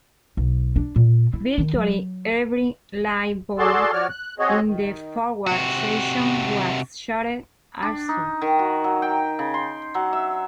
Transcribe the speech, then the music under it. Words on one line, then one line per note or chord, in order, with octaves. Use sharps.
Virtually every light bulb in the forward section was shattered also.
B1
D4
A#2
E4
D#3
F#3
F#4 G#4 A4 D5 A5 C6
F3 F#4 C#5 D5 F6
F#6
C4 F#4 G#4 C#5 D#5
D#3
C3 F#4
D4
D#4
D#3
F#4
F#3
G5
C#3
C6
F#3
E5